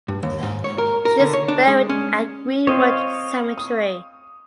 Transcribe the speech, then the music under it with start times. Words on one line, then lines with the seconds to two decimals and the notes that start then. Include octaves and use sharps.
She is buried at Greenwood Cemetery.
0.08 G2
0.23 D#2
0.43 G#2
0.64 C#5
0.78 A#4
1.05 A#4
1.20 D3
1.33 C#5
1.48 D4
1.67 G#3
1.89 C#4
2.67 C4 C#5 D#5 F5
3.58 D#6